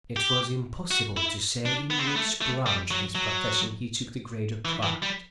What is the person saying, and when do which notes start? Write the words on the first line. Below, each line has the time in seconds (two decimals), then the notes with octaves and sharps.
It was impossible to say in which branch of his profession he took the greater pride.
0.16 G4
0.91 F#4
1.17 E4
1.66 D4
1.90 B3
1.99 C4
2.07 B3
2.16 A3
2.41 A3
2.66 G3
2.91 F#3
3.15 F#3
4.65 E3
4.83 E3
5.02 G3